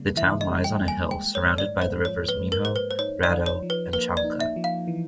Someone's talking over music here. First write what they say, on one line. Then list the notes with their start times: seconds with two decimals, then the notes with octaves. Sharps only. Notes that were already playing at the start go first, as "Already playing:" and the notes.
The town lies on a hill surrounded by the rivers Minho, Rato and Chanca.
Already playing: C#3 G3 A#3
0.16 E3 E5
0.41 D#5
0.49 G3
0.64 G5
0.79 A#3
0.88 G#5
1.11 G#3 G5
1.35 C#5
1.42 G#2
1.58 D5
1.74 G#2
1.82 C5
2.05 F3 C#5
2.28 B4
2.36 G#3
2.52 A#4
2.65 G#2 C5
2.76 B4
2.91 C5
2.99 D#4 C#5
3.23 D5
3.30 F3
3.46 C#5
3.62 F3
3.70 B4
3.93 A#3 B4
4.17 D5
4.24 D#4
4.40 E5
4.56 F3
4.64 F5
4.88 E3